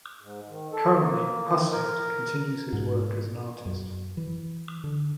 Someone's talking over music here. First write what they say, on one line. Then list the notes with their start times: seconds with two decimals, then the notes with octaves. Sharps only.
Currently, Pushead continues his work as an artist.
0.22 G#2
0.49 D#3
0.72 A4
0.99 A#3
1.48 D#3
1.71 A#4
2.73 G#2
3.66 F#2
4.17 E3
4.84 D3